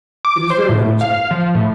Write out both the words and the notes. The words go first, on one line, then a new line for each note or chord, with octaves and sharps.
It is very unexpected.
D6
C5
A2
F5
F3
A2